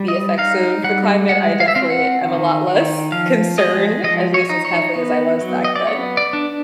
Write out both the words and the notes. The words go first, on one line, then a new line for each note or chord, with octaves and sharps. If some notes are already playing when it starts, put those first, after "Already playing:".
the effects of the climate, I definitely am a lot less concerned- at least as heavily as I was back then.
Already playing: G3
D#5
D#4 F5
G3 F#5
G#3 F#5
F5
E5
C4 F5
F#5
D#3
D#3
F3 F5
G#3 D#5
F3 D#5
C#5
D#4
C#5
B3
F#3
D#5
D5
B3 C#5
D5
D4